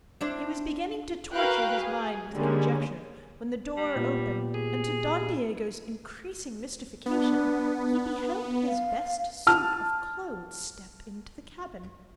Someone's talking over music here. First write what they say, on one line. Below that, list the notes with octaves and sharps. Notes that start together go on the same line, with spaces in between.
He was beginning to torture his mind with conjecture, when the door opened, and to Don Diego's increasing mystification he beheld his best suit of clothes step into the cabin.
C4 D4 E4
F#4 A#4 B4 F5 G5 F#6
G#4
D3 G3 G#3 A#3 C#4
G3
A#2 B3 G4
G#4
B3 D4
F5
A5 F6